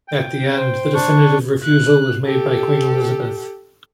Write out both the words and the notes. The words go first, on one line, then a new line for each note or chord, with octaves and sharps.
At the end, the definitive refusal was made by Queen Elizabeth.
G5
C5
D4 C#6
F#6
G4 A4